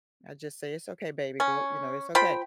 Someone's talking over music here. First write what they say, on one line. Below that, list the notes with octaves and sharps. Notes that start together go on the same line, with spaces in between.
I just say, "it's okay, baby, go you know, it's okay.
C#4
F3 C5 G5 B5